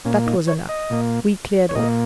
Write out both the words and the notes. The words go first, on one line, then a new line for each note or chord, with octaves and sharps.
That was enough: we cleared off.
A#2 A#3 C#4
D#4
C#5
D#5
A#2 A#3
C#5
A#2 A#3 D#5